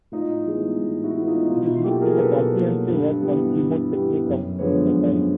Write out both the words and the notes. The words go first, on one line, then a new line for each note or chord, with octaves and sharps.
This book is a comprehensive work on keyboard technique of the time.
A2 D#4 F4
E3 G#3 B3
A2
E4 F#4
E3 G#3 B3
D#4 F4
B2 D#4 F4
E4 F#4
F#3 A#3 G4 A4
G#4 A#4
B2 A4 B4
F#3 A#3
G2
E3 G3 B3
G2
E3 G3 B3
F#2
D3 F3 G#3 B3 B4 C#5
F#2